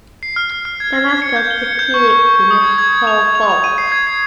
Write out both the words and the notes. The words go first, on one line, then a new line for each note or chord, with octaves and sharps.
Damaskos competed in the pole vault.
C7
F6
F6
F6
G#6
G#6
G#6
C#7
G6
G7
C#7
G6
C#6
C#6
C#6
C#6
D#6
G#6
G#6
G#6
F7
F7
F7
F7
D#7
C7
G#6
C7